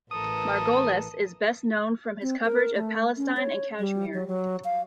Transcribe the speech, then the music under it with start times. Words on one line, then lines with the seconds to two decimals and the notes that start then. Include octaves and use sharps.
Margolis is best known from his coverage of Palestine and Kashmir.
0.11 A1 E3 A4 A#4 D#6
2.22 C4
2.45 A#4
2.75 A3
3.17 C#4
3.37 C#5
3.79 G3
4.14 F#3
4.28 F#3
4.64 F5